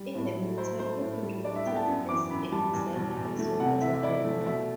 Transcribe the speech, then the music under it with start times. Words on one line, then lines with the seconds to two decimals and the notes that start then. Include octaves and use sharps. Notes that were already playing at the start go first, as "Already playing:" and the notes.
In the meantime, he contributed as a designer as well as a band member.
Already playing: G3
0.15 A2
0.36 F#3
0.58 E4 C5
0.79 A3 C5
1.01 A2
1.23 G3
1.44 D4 D5
1.55 E5
1.66 B3 G5
1.76 A5
1.87 F#2
2.09 E3 D6
2.30 F#2 B5
2.52 G3 A5
2.73 E2
2.95 B2
3.17 E2
3.39 A3
3.60 C3 F#5
3.81 E3 E5
3.94 E5
4.03 E4 D5
4.25 A3
4.46 B2 E5